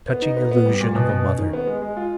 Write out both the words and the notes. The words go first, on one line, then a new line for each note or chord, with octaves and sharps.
Touching illusion of a mother!
B3
D#4
B3
B3
G3
A#2
B2
B2
C#4
D#3
B3
G#3
G#3
F4